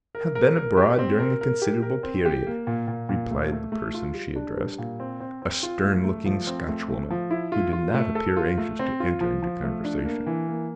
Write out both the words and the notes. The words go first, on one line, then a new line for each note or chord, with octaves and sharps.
"I have been abroad during a considerable period," replied the person she addressed, a stern-looking Scotchwoman who did not appear anxious to enter into conversation.
A#4
A#4
A#4
G4
C4
A#4
A#4
G4
A#4
C4
G4
A#3
A#2
A#2
A#2
A3
A3
A3
F4
G3
D4
G3
A#2
C4
C4
C4
F4
A3
A3
F3
C4
A3
A3
F3
E4
F4
F4
A3
A4
F4
A3
C4
F4
F3
F3
A3
D4
A#3
E3
A#3